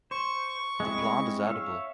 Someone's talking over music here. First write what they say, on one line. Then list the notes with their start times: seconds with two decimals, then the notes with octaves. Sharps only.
The plant is edible.
0.11 C5 C#6
0.80 G#3 C4 E4
1.47 C#5 E5 F5